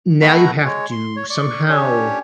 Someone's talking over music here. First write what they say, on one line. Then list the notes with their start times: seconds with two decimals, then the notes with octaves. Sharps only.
now you have to somehow
0.22 A3 B3 E4 F#5 A#5 C#6
0.65 G#3 C#5
0.92 C6
1.16 C#5
1.30 D5 C#6
1.69 C#4 D4 G4 C#5